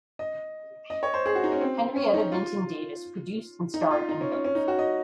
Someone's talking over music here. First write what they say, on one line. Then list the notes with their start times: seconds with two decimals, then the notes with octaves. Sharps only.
Henrietta Vinton Davis produced and starred in both.
0.19 D#5
0.90 D#5
1.03 C#5
1.14 C5
1.26 G#4
1.35 F#4
1.44 D#4
1.52 C#4
1.61 C4
1.96 C#4
2.14 D#4
2.32 F4
3.74 D#4
3.91 F4
4.09 D#4
4.21 C#4
4.32 C#4
4.45 C#4
4.55 D#4
4.68 F#4
4.79 D#5